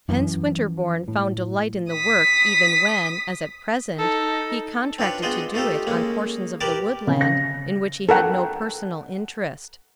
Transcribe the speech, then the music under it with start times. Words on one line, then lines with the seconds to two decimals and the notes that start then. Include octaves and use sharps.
Hence Winterborne found delight in the work even when, as at present, he contracted to do it on portions of the woodland in which he had no personal interest.
0.09 F#2 E3
1.08 A2
1.91 D#6 B6
3.96 D#4 A4
4.98 C4 D4 F4 B4 C#5
5.22 B3 D4 F4 G#4 C5 D#5
5.54 A3 D#4 F4 G4 A4
5.87 G#3 A#3 C#4
6.61 G4 A#4 B4 D5 A5
7.07 C#3
7.21 A#6
8.09 A4 A#4 F#5 G5